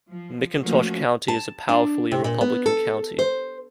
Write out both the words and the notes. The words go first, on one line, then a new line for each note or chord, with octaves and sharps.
McIntosh County is a powerfully Republican county.
F3
F3 A3 A#3 C#4 F#4
A5
D4
C3
A#2
B3
A4
C5